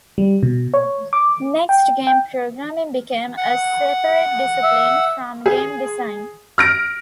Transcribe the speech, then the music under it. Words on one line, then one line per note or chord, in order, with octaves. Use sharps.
Next game programming became a separate discipline from game design.
G3
B2
C#5
D6
G5
G5
F#5
E5
G#4
F6 A#6 D7